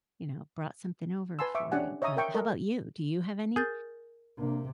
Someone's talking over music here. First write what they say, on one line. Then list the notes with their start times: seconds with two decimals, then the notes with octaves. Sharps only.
you know, brought something over for you." But how 'bout you? Do you have any?
1.39 B4 G#5 A5 C6 E6
1.55 E5 C#6 D6
1.71 C#4 D4 G4 F#5 G#5
2.02 C#5 D#5 E5 A#5 D#6
2.17 A#4 E5 G5 C#6
2.34 A4 A#4 D#5
3.56 G#4 A#4 G6 A6
4.39 C3 A#3 D4